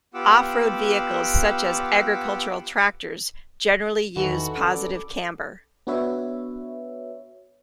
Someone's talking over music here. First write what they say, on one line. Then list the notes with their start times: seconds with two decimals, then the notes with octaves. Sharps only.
Off-road vehicles such as agricultural tractors generally use positive camber.
0.14 B3 F4 G4 F#5 D6 E6
4.16 E2 D#3 E3 F#4 A4
4.57 C#4 A4 D5
5.87 B3 D4 F#4 B4 C#5 E5